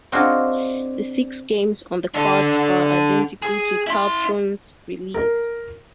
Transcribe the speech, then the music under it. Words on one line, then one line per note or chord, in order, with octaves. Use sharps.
The six games on the cart are identical to Caltron's release.
C4 D4 D#4 F4 F#4 G#4
D4 A4
G#4
E4 C6
A#4